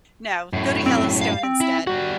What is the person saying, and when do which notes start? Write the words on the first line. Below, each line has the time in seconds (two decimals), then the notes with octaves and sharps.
No, go to Yellowstone instead.
0.53 F#2 A2
0.86 C4
1.21 F5
1.43 C4
1.61 E4
1.87 G3 F#4 F#5